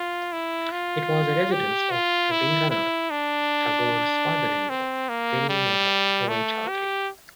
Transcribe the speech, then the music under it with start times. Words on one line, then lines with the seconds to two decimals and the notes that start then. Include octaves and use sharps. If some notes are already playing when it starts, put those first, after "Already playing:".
It was the residence of Rabindranath Tagore's father-in-law; Beni Madhab Roy Chowdhury.
Already playing: F4
0.33 E4
0.72 F4
1.52 G4
1.91 F4
2.31 E4
2.71 E4
3.11 D4
4.70 C4
5.09 A#3
5.50 G3
6.29 A3
6.68 G4